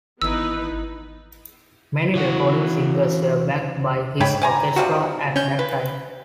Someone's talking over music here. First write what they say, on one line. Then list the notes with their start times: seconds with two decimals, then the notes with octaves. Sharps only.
Many recording singers were backed by his orchestra at that time.
0.22 G#1 E3 B3 D#4 E4 B4 E6
2.15 E3 F#4
4.21 G#2 C#5 G5 B5
4.42 D5 G#5 A#5
4.76 C3 F3 G3 F#4
5.36 C#4 G6
5.59 B4